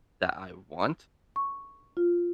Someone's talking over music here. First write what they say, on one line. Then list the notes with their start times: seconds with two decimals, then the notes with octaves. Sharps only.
that I want
1.36 C#6
1.97 F4